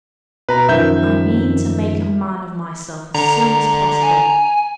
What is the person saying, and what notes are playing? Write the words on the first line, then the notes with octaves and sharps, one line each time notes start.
"I mean to make a man of myself as soon as possible."
B2 B4 A#5
F#2 D#3 F3 E5 G6
D3 A#5
G#5